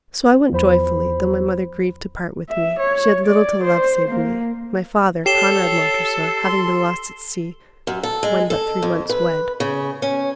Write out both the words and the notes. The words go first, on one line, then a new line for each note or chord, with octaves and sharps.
So I went joyfully though my mother grieved to part with me; she had little to love save me, my father, Conrad Montressor, having been lost at sea when but three months wed.
E2 F3 C5 B5
E5
C#5
D5
C5
A#3
G4 A4 C#5 C7 E7 G7
C6
F#2
A4
G#3
A4
F2
B4
C#3
C#4